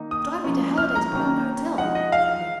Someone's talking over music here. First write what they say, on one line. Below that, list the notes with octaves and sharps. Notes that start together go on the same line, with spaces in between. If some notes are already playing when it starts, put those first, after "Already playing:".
'Drive me to Halliday's Private Hotel,' said he.
Already playing: D#3 A#3 D#4
D#6
F3 A#3 C#4
F6
A#5
D#3 F#3 A#3 C#4
F3 G#3 D#4 F#5
D#5
F5